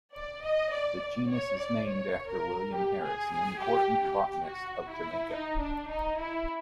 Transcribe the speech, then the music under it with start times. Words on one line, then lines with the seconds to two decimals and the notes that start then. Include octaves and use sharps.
The genus is named after William Harris, an important botanist of Jamaica.
0.15 D5
0.44 D#5
0.72 D5
1.01 D5
1.30 C#5
1.58 D5
1.87 C#5
2.29 A#4
2.74 G4
3.02 G#4
3.31 G#4
3.59 G4
4.03 G4
4.45 F#4
4.89 E4
5.32 D#4
5.60 D4
5.89 D#4
6.18 E4